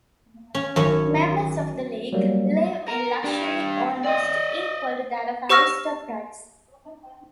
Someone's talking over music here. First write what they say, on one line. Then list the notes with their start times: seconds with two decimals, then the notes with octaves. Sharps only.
Members of The League live in luxury almost equal to that of aristocrats.
0.55 C#4
0.76 G#1 F#2 D#3 C#4 C#5
2.13 F#3 G3 A#3
2.88 A#4
3.24 D4 G4
4.05 D5 D#5
5.49 G4 C5 C#6 E6 F6 A#6